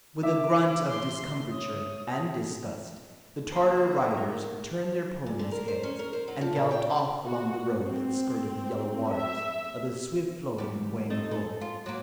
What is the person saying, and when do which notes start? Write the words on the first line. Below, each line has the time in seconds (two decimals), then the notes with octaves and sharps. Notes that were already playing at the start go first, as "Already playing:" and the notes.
With a grunt of discomfiture and disgust, the Tartar riders turned their ponies' heads and galloped off along the road that skirted the yellow waters of the swift-flowing Hwang-ho.
0.23 E5 D6
0.89 C6
1.51 C#5 D#6
3.52 A#3 C5 E5 B5
4.17 A#4
5.26 A#2
5.39 D3
5.52 A#4
5.68 C5
5.83 C#4
5.99 A#4
6.13 C5
6.28 F#3
6.41 F3
6.56 A#2
6.71 G5
7.26 F#4
7.83 C4
9.12 E5
10.58 E2 G3
11.10 C4 D#4 A4
11.31 G#3 A4
11.61 F4
11.86 F#3 A#3